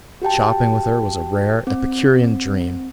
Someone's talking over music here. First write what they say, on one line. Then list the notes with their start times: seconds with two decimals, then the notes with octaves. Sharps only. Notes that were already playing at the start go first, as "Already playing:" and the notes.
Shopping with her was a rare, epicurean dream.
0.22 F#4 G4 G5 A5
1.67 C4